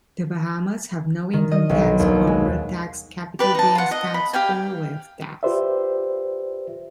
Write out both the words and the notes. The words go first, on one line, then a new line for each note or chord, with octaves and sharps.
The Bahamas have no income tax, corporate tax, capital gains tax, or wealth tax.
D#3
D#5
B1
D#2
G#3
G4 B4 D5
D#4 A5
F4 F#5
D#5
B5
G4 F5 G5 G#5
F4 G4 B4 C5 D5 E5